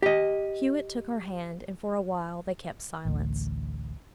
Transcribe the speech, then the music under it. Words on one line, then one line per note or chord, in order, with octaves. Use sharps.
Hewett took her hand, and for a while they kept silence.
G4 D#5
A1 D2